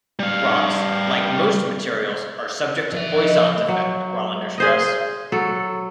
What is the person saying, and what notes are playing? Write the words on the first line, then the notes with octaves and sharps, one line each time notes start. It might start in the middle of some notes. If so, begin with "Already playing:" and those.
Rocks, like most materials, are subject to Poisson's effect while under stress.
G3 F5
F3 E5
D#5
F#3
G#4 C5 D#5
F#3 A4